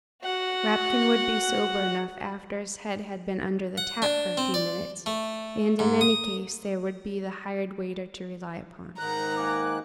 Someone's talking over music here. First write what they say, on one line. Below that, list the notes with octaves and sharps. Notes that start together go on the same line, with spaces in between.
Rapkin would be sober enough after his head had been under the tap for a few minutes, and in any case there would be the hired waiter to rely upon.
F#4 F#5
F#5
D4
C4
D5
A3
G#2
D#6
G#2 D#3 A#5 F#6
A#3 G#5 D6